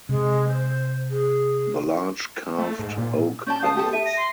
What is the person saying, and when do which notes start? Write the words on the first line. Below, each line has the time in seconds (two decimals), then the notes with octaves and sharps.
The large carved oak panels.
0.09 C3 G#3
0.48 C5
1.11 G#4
2.59 A3
2.79 G#2
2.98 A#2
3.47 C#4 D5 A5 G6
3.63 F5 A5 D#6
3.76 G4 A4 A5
3.93 E5 D#7
4.06 A#6
4.17 C6